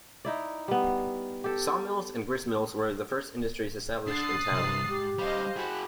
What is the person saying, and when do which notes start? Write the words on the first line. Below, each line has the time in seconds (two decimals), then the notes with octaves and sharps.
Saw mills and gristmills were the first industries established in town.
0.25 D#4 E4 D5
0.68 G3 B3
1.44 G4 A4
4.07 D3 D#6 F#6 A6 C7
4.51 C2 G2 G3
4.86 G#2 G4
5.18 G3 D#4 C5 D#5 F5
5.56 F#4 G#4 B5 F#6